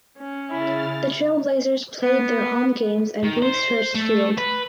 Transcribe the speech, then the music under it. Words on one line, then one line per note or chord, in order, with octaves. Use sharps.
The Trailblazers played their home games at Bruce Hurst Field.
C#4
C#3 E4 F6 A6
B3
D#3
C5
A3
B4